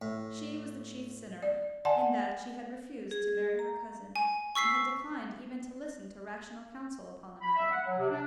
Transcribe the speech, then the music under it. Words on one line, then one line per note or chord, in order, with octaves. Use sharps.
She was the chief sinner, in that she had refused to marry her cousin, and had declined even to listen to rational counsel upon the matter.
A2
D5
D5 F#5 G#5 A5 C6
G#4
A#5
G#5
C#6 E6 B6 C7
B5
E5
F#5
F#3
C3
D4